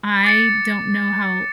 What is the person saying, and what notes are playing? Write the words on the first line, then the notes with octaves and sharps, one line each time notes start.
I don't know how
D6 A6 C#7